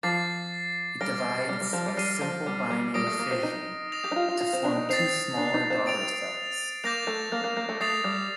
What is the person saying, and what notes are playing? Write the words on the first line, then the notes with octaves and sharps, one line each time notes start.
It divides by simple binary fission to form two smaller daughter cells.
F3 D6 A6 C7
G3 F6 A#6 D7
G3
G3
F3
G3
G3 F6 C7 D#7
F3
G3
G3
G3 D#6 A#6 D7
A3
A#3
C4
D#4
D#6 A#6 F7
G4
D#4
F4
F4
F4
C4
D4
D#4
C4 A6 C7 F7
D4
D#4
C4
A6 D7 F7
A#3 D6 G6 A#6 F7
A3
A#3
A#3
A#3
A3
A3 D#6 A6 C7 F7
G3